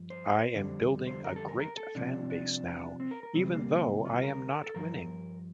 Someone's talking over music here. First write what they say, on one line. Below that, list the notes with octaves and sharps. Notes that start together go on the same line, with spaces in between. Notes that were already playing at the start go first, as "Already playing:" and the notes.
I am building a great fan base now, even though I am not winning.
Already playing: G2 F3
C5
F2 D3 G3
C5
A#4
A4
A#4
A#4
A4
C2 C3 F3 D4
D4
C4
A#4
A#4
D2 C3 G3 C4
A#3
F4
A#4
A4
G2 F3 A#4